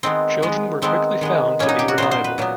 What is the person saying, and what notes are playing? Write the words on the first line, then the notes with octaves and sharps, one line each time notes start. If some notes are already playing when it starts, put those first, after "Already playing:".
Children were quickly found to be reliable.
D#3 G#3 B3 C4
D#3 G#3 B3
D#3 G#3 B3 C4
D#3 G#3 B3
A#2 F#3 B3 C#4
D#4
G4
F#4
A#2 F#3 B3 C5
C5
B4
A#2 F#3 B3